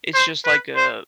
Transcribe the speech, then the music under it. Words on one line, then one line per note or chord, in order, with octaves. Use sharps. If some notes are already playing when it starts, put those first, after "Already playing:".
it's just, like, a
C5
B4
C5